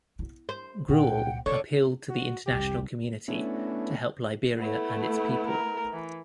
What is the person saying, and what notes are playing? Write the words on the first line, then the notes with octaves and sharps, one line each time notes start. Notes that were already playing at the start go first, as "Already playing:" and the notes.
Grewal appealed to the international community to help Liberia and its people.
B3 E4
C5
C#2 A#2 F#5 G5
D3 C4 C#5
F#4
F1 C2 G4
A3 B3 C#4 D4 E4
A3 B3 E4
A#4
E3